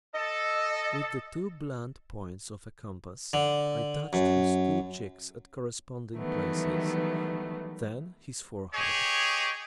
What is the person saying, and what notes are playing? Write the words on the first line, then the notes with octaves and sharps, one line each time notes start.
With the two blunt points of a compass, I touched his two cheeks at corresponding places, then his forehead.
A4 D#5
D3
F#2
D#3 E3 F#3 G3 A3 B3
G4 G#4 C#5 D#5